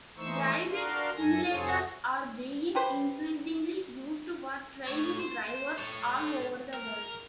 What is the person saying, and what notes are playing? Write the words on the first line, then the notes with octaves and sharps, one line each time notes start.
Driving simulators are being increasingly used for training drivers all over the world.
E3 A3 D#4 C5 C#6 E6
D4 F#4 A#4 F5 C6
F#2 A4 G#5 A#6
F2 C3 G#4 A4 C5 C#5
G4 B4 C5
A3 C#5
C5
A4 C#5
A#4